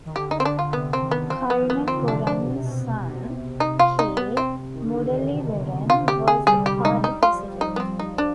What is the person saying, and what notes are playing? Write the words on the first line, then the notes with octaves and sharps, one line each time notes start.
Karunakuran's son K. Muraleedharan was the party president.
D#3
D3 G4
D#4
C4
D3 D4
F4
C3 B3
D3 C4
D#3
B3
F3 C4
F3 B3
D#3
B3
D#3 C4
D3
C3
D3 D4
C3
D4
B2
C3
B2
B2
C3
D#4
F4
D#4
B3
C4
D#3
D3
D#3
C3
B2
C3 F4
D3
C3 G4
G#4
G3 G#4
G4
G#3
D#4
G3 D#4
F4
F3
D#4
B3
C4
D#4
D4